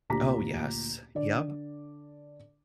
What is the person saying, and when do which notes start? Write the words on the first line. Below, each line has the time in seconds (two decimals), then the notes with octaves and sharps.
Oh, yes. Yep.
0.10 D2 A#2 G4 A#5 D6 B6
1.15 D3 D5